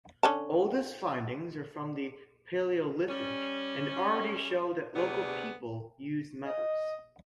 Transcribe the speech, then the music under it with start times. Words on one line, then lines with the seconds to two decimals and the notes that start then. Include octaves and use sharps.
Oldest findings are from the Paleolithic and already show that local people used metals.
0.23 D3 C#4 A5
3.09 G3 C#4
4.96 D2 C3 B3 G#4 D5
6.45 D#5